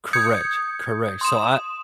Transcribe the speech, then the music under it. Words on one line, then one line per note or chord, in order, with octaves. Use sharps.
Correct. Correct. So I
D#6 G6 G#6 C#7
C6 D#6 E7